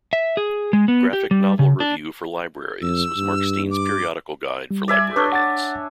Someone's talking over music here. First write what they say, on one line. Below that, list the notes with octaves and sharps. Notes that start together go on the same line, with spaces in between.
"Graphic Novel Review for Libraries" was Markstein's periodical guide for librarians.
E5
G#4
G#3
B3
G4
G3
C#3
D4
F2 E6
G2
D6
G3
D5 E5 G#5
D4 B4 C#5
F#5 D6 A6